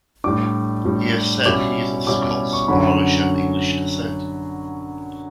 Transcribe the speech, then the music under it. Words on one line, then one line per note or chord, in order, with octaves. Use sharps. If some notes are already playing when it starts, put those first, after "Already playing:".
He has said he is of Scots-Irish and English descent.
A2 G3 D4 D6
A2 G3 D4
B2 G3 C#4 E4 D6
B2 G3 C#4 E4 D6
D6
C#6
F#2 D3 F#3 C#4 B5